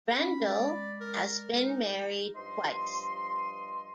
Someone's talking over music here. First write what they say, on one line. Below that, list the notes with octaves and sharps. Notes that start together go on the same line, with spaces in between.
Brendel has been married twice.
C#4 B5
G#3 D5
A#4
D#4
G2 F3 D#5 C6